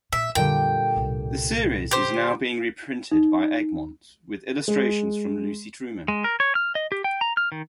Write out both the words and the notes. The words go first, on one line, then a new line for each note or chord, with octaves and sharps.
The series is now being reprinted by Egmont, with illustrations from Lucy Truman.
A#2 E5 E7
F2 A#2 D3 G3 G5
C2 A2
G4 C5
D#4
G#3
G#3
A#4
C#5
F6
D#5
G4
G5
A#5
F6
D#3